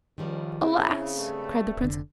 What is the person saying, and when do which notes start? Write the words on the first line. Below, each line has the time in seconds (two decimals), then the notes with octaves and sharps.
'Alas!' cried the princess.
0.18 C#2 D#3 F3 G3
0.62 C#3 C4 E4
1.17 G2 A3
1.81 F1 D3